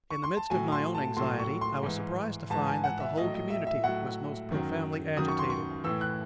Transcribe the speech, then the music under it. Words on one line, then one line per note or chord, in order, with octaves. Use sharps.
In the midst of my own anxiety I was surprised to find that the whole community was most profoundly agitated.
C#6
C6
A5
A2 F#3 G#5
C6
A5
A2 F#3 C6
C#6
C6
G#2 E3
G#2 E3 A5
G#5
F#5
E5
A2 F#3 D#5
D#5
E5
E5
A2 F#3 F#5
F#2 D#3 F#3
F#2 D#3 F#3 D#6
C#6
C6
C#6
A2 E3 E6
F#6